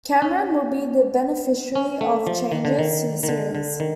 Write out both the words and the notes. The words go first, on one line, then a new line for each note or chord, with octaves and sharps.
Cameron will be the beneficiary of changes to the series.
C#4
C#4
A3
F3
D#3
D3
D#3
D#3
D3
D3
D#3